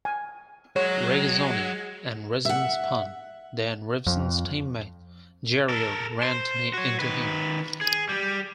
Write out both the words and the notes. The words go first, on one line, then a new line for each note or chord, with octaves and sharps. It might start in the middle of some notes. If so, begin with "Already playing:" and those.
Regazzoni and Resvon spun, then Revson's team-mate, Jarier ran into him.
G#5
F#3 G#3 C#5
E5 F#5
F2
A4 A#4
C5
F#4 C#5
D#3 B4
G#4
G3 G4